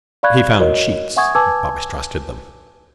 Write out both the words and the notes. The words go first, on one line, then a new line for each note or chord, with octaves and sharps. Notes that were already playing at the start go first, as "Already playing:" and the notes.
He found sheets, but mistrusted them.
D5 F5 B5 C#6 F#6 G#6
F#4 A#4 C#5 D#5
E5 F#5 G#5 C#6 D#6 G#6
B4 G#5 A5 D6 E6 G#6